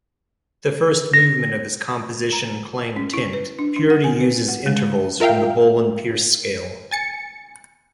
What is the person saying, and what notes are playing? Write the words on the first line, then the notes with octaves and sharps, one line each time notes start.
The first movement of his composition "Clang-Tint", "Purity", uses intervals from the Bohlen-Pierce scale.
A#6
A#5
C#4
E4
B4
D4
D4
F#5
G#5
B4
F#5
G#3
F4 A#4 E5 F5 G5
G#5 A6 C#7